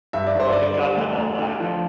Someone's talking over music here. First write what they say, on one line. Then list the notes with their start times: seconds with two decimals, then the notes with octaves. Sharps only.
but it got them all laughing.
0.13 G2 E5
0.27 D5
0.35 G2 C5
0.52 D3 D5
0.77 G3
0.97 D2
1.18 D2
1.39 D3
1.60 F3